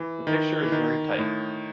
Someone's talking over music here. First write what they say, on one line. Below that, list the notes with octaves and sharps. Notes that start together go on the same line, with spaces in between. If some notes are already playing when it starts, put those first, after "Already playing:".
The picture is very tight.
Already playing: E3
D#3
E3
D#3
A2